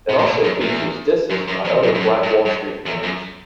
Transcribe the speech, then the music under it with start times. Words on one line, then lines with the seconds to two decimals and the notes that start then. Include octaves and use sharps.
It also features disses by other Black Wall Street Members.
0.09 C3
0.19 A2
0.26 B2
0.44 F#2
0.61 E2
1.30 F#2
1.48 F#2
1.65 E2
1.83 F#2
1.95 G2
1.99 F#2
2.23 G2
2.45 G2
2.86 E2
3.03 F#2